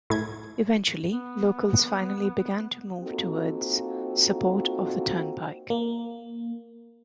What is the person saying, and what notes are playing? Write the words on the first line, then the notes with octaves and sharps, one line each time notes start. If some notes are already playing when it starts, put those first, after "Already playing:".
Eventually, locals finally began to move towards support of the turnpike.
A2 G#6
B3
A#3 C4 D#4 F4 F#4 A4
A#3